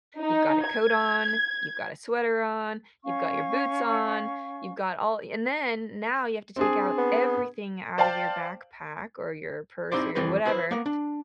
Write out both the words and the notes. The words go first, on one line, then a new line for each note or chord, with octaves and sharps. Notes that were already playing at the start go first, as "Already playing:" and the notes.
you've got a coat on, you've got a sweater on, you've got your boots on, you've got all and then now you have to take out everything out of your backpack or your purse or your whatever.
D#4
G#6
C#4 F5 C#6
C4 D4 G#4
B3
C5 D5 F5 G5 A5
C4 D#4 E4 G4 C5 D5
F2 E3 G3 C4 B4
E4 G#4 B4 C5
A#3 B3 A#4
D4